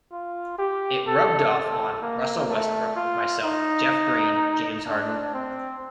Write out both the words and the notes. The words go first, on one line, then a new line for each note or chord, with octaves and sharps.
It rubbed off on Russell Westbrook, myself, Jeff Green, James Harden.
F4
G4
A4
A4
A#3
A3
F4
D#4
D4
C4